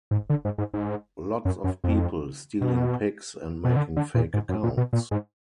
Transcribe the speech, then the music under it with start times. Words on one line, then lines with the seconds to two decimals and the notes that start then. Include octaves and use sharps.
Lots of people stealing pics and making fake accounts.
0.11 G#2
0.30 D3
0.45 G#2
0.58 G#2
0.74 G#2
1.45 F#2
1.64 F#2
1.84 F2
2.61 B2
3.64 B2
3.76 D3
3.96 D3
4.15 A#2
4.34 G#2
4.49 F#2
4.63 A#2
4.77 B2
4.93 A#2
5.11 G#2